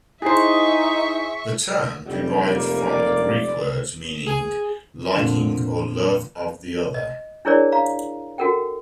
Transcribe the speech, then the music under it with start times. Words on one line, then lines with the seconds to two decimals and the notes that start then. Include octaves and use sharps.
The term derived from Greek words meaning "liking or love of the other".
0.22 D#4 E4 G#4 C5 E5 C#6 C7
2.06 F1 G3
2.52 A#3
2.86 D5
4.26 G#4
5.14 F2 A#2 D3 E7
6.94 D#5
7.45 D4 E4 G#4 A#4 C#5 D5
7.72 F5 A#5
8.38 F#4 A4 A#4 F#5 G5